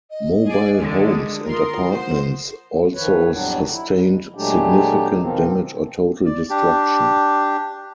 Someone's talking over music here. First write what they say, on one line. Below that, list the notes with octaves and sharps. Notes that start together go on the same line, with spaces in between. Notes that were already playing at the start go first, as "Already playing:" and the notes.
Mobile homes and apartments also sustained significant damage or total destruction.
D#5
G#4 D5
D3 D#3 G#3
D#6
F4 A#4 C6
C5 F#5
D#3 F3 B4 C#5
F2 A2 F#3 G3 B3 D4
E4
F2
A#2 F#3 G#3 A3 D4 G4
B2 D#3 F3 C4
D5
D4 G4